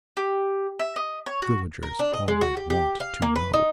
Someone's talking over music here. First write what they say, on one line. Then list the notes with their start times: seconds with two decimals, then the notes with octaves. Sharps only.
Villagers always want to know.
0.17 G4
0.79 E5
0.96 D#5
1.26 C#5
1.42 F#4
1.83 A#4
1.99 D4
2.14 D#5
2.28 G#3
2.41 F#4
2.57 G4
2.70 G4
3.00 F5
3.22 A#3
3.36 B4
3.54 D#4